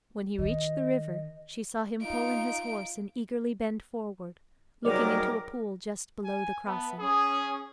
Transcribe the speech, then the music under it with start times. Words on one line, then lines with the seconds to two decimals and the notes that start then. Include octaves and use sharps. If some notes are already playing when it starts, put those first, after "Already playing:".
When he reached the river she saw him pull in his horse and eagerly bend forward, looking into a pool just below the crossing.
0.39 D#3 D#5
2.02 D#4 F4 D7
4.85 G#2 F#3 G3 G#4 A#4 C#5 D5 D6
6.24 G#5
6.66 B3 E5 A5 B5
6.99 C#4 G#4 D#6